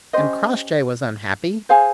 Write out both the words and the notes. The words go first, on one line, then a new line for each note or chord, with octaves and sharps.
And Crossjay was unhappy?
C#4 G4 C5 D#5
G#4 C5 F5 G#5